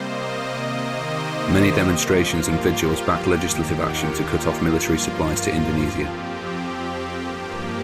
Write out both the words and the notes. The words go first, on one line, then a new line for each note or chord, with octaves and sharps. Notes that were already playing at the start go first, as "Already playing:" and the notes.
Many demonstrations and vigils backed legislative actions to cut off military supplies to Indonesia.
Already playing: C3 G3 A#3 C5 D#5
F5
C3 D#3 A#3 D#5
C5
G4
G2 F3 A#3 F4
G4
D#2 D#3 A#3
F4
G2 F3 A#3
F4
F2 F3 C4 G4
G4
G2 F3 A#3